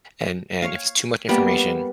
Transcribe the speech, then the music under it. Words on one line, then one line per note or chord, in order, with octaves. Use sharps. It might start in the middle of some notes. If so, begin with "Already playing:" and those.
And and if it's too much information,
C#5 F5
G3 A#3 B3